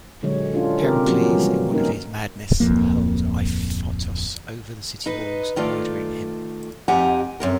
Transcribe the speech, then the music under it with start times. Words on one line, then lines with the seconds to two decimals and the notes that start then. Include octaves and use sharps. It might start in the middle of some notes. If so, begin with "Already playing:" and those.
Heracles, in one of his madness, hurled Iphitos over the city walls, murdering him.
0.22 A#2 D3 F#3 G#3 G4 C#5
0.54 C#4 D4 F4
0.82 C3 D#3 G4 A#4
1.07 F3 F#3 A#3 C#4 F#4
1.33 E3 G3
1.71 A#3 C#4 D#4 A#4
2.60 D1 F2 A#3
5.06 D#4 B4
5.56 D#3 A3 F4 D5
6.88 F2 D#4 G4 F#5 G#5 A#5
7.40 F#2 C3 A#4